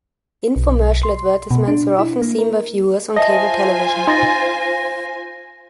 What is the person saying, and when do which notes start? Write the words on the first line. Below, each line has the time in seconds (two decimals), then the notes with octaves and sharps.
Infomercial advertisements were often seen by viewers on cable television.
0.56 B1
1.03 C6
1.51 B2
1.68 D4
1.99 E4
2.22 A#3
2.39 A#4
3.16 F4 C5 D#5 E5 G#5 A5 A#6
4.07 D#4 C6 A6 A#6
4.62 A#6